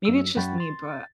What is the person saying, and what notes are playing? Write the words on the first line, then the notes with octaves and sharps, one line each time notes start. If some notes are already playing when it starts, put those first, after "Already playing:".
maybe it's just me, but
F#2 E6
F#2 F#5 G5 B5 C#6 A6
C6 A6
A6